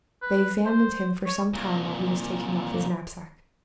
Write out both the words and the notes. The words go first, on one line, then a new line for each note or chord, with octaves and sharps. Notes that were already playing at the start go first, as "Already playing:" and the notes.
They examined him for some time while he was taking off his knapsack.
B4
C5
C#5
C2 A#2